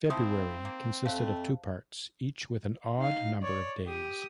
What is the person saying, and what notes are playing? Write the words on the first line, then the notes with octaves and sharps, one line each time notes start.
February consisted of two parts, each with an odd number of days.
F3 A3 C4 D#4 E4 C6 D#6
A#3
F2 A3 C5 F5
D#4 F5
C#5 D5
G4 D#6